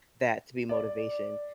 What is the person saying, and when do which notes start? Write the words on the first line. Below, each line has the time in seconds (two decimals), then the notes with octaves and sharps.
that to be motivation.
0.69 D5